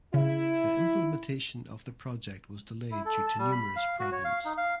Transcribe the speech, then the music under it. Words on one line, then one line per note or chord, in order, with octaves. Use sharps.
The implementation of the project was delayed due to numerous problems.
C#3 E4
E4
A4
A5
G3
B5
F5
F#4
C#5
F5
D#4
F5